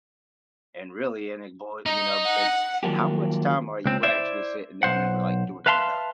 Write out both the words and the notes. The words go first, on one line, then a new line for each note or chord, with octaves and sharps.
and really and it boy, you know, it's how much time are you actually sitting down and were, like, doing nothing?
D#4 D#5
F#5
D#3 F3 F#3 A#3 G4
C#2 C4
E4 C5 D5 E5
B1 C5 F#5
B4 E5 F5 A5 B5 C6